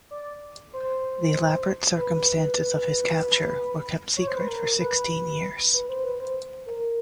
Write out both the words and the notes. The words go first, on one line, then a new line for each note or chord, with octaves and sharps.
The elaborate circumstances of his capture were kept secret for sixteen years.
D5
C5
B4
C#5
C5
B4
A#4
B4
B4
C5
B4
C5
A#4